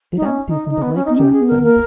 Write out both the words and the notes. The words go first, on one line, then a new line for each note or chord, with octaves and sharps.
It empties into Lake Jackson.
D#4
C#4
D#4
D#4
B3
C#4
D#4
B3
C#4 G4
G#4
B3
A#4
A#3 A#4